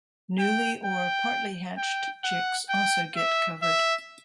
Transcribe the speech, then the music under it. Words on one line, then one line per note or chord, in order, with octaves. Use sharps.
Newly or partly hatched chicks also get covered.
G5
G5
G5
F#5
G5
E5
E5